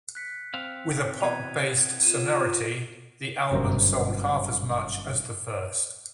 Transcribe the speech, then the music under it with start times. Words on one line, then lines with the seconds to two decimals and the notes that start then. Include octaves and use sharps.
With a pop-based sonority, the album sold half as much as the first.
0.15 F#6 B6 C#7
0.54 C4 F5
1.21 B2 E3 B3 G#6 D#7 F7
2.03 F4 D#7 E7
3.52 G1 F#2 C5 A#5